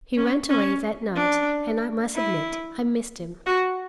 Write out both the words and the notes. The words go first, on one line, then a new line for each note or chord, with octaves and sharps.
He went away that night, and I must admit I missed him.
C#4
C#4
D4
E4
F#4